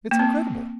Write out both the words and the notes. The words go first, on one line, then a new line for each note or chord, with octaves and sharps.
It's incredible!
A#3
C4